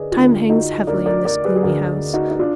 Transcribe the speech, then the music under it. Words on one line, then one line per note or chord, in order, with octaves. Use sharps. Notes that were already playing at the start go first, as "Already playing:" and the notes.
Time hangs heavily in this gloomy house.
Already playing: D2 D3 G#4 A#4 B4 D5 D#5
D2 D3 F4 G#4
D#4 F#4
D2 D3 A#4 D5
A#4 D5
A#4 D5
G#4 B4
G#4
D2 D3 F#4 A#4
D#4 F#4
D#4
D4 F4